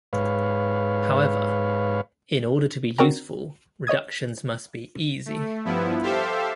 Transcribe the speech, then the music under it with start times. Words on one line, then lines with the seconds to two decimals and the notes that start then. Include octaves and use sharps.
However, in order to be useful, reductions must be "easy".
0.13 G#2 B4 C#5 F5
2.98 C4 F#4 A#4 D5 G5 A#5
3.87 C#5 D#5 D#6 G#6
5.26 A3
5.65 G2 F3 B3 E4
6.02 G4 A4 C5 E5 F5